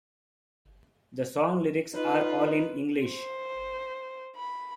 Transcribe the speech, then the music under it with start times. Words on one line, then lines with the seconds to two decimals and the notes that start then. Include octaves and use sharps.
The song lyrics are all in English.
1.95 D#4 F4 B4
3.06 C5
4.36 B5